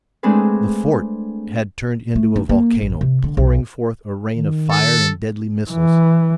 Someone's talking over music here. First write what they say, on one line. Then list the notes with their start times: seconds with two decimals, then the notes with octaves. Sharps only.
The fort had turned into a volcano, pouring forth a rain of fire and deadly missiles.
0.23 G#3 A3 C4 D4 G#4 B4
2.16 A3
2.36 D#4
2.49 A#3
2.81 A1
3.01 C3
3.24 D3
3.37 B1
4.35 D#3
4.71 A4
5.71 E3